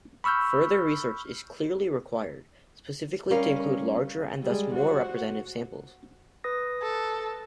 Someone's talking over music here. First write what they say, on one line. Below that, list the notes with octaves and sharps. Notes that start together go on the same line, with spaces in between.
Further research is clearly required, specifically to include larger and thus more representative samples.
B5 C#6 E6 F6 G6
G3 C#4 A#4 F5
G3 G#3
F#4 C5
B4 D#6 A#6
A4